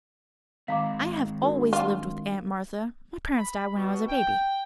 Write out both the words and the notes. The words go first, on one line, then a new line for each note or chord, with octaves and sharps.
I have always lived with Aunt Martha--my parents died when I was a baby.
D#3 G#3 C4 F5 A#5 D6 B6
D4 F#4 A#4
F4
B5
B2
G5